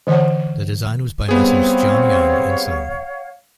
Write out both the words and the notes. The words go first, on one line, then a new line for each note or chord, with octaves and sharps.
The design was by Messrs John Young and Son.
D3 E3 C5 C#5 F#5
G3 B3 C4 G#4 C#5 F5 F#5